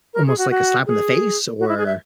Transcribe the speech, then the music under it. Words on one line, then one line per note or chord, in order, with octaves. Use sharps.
almost like a slap in the face or,
A#4
G#4
F#4
F#4
G#4
F#4
E4
G#4
E5